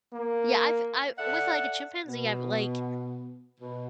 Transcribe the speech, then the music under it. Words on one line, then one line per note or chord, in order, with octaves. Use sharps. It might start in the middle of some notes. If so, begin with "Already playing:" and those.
Yeah, I've I with, like, a chimpanzee, I'm, like,
A#3
A4 D5 E5 F#5
B2 B3
B2